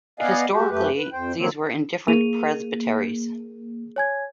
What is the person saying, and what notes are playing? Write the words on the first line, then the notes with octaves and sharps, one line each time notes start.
Historically these were in different presbyteries.
B3 D5 D#5 F5 F#5 G#5
G#3 F#4 G4
F#2 A3 G4 B4
B4
F2 C5 G5
D3 D#3 F#3 A#3 C4
A#3 G#4 D#7 F7
C#5 G#5 G#6